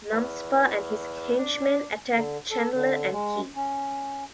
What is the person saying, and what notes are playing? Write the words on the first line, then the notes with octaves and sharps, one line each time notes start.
Numspa and his henchmen attack Chandler and Kee.
E2
D4
D3
A4
D3
G#3
C#4